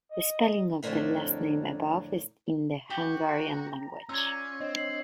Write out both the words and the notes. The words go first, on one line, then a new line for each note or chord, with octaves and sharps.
The spelling of the last name above is in the Hungarian language.
D#5
F2 A2 D3 D4 A#4 E5
F#4 G4
A#5
C#4 F4 D5 E6 G#6
C4 D4 C#5 D#5
C7 F#7